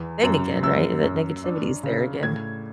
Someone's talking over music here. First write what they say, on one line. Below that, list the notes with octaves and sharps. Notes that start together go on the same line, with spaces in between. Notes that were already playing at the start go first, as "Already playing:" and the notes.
thing again, right? That negativity is there again.
Already playing: E2 E3
F#2
F#2 E6
F#2
D4
C#3
A2 G#6